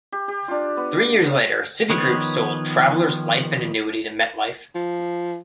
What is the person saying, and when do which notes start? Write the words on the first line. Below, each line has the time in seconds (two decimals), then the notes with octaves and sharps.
Three years later, Citigroup sold Travelers Life and Annuity to MetLife.
0.12 G4
0.28 G4
0.48 D4 F4
0.77 B3
1.90 D#3 F3 B3 B4 C#5
4.75 F3